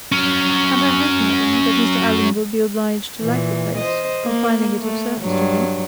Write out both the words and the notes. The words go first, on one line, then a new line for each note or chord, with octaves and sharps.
"And I hope, madam, that Mr. Allen will be obliged to like the place, from finding it of service to him."
F#3 C#4
A#2 E3
C5 D#5
A#3
A3
G2 F#3